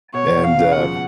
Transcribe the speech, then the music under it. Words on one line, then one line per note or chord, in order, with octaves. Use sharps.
and, um
B2 C#5
B2
F5
C#3
F#5
F3